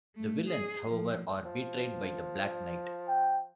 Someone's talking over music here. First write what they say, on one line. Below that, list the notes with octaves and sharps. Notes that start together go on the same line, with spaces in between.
The villains, however, are betrayed by the Black Knight.
A3
G#4
F3
F3
G5